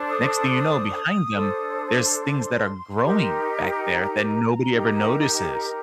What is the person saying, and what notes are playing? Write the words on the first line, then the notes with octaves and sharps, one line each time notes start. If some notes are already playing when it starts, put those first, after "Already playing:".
Next thing you know, behind them, there's things that are growing back there that nobody ever notices.
Already playing: D4 A4 C5
D#6
D4 A4 C5
C6
D#4 G4 A#4
A#5
D#4 G4 A#4